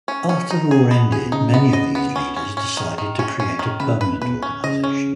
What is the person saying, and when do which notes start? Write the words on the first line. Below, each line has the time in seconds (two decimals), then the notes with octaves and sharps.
After the war ended, many of these leaders decided to create a permanent organization.
0.08 C#4
0.29 C#4
0.50 D#4
0.71 G#4
0.91 B3
1.12 G#4
1.26 B2
1.32 C#3 D#4
1.54 B3
1.73 D#5
1.95 B3
2.16 C#4
2.36 C#4
2.57 C#4
2.77 D#3
2.98 D#3
3.19 C#4
3.40 C#4
3.59 D#3
3.80 C#3 B4
4.01 B4
4.22 B2 B4
4.42 C#4
4.64 C#3 D#5
4.84 C#4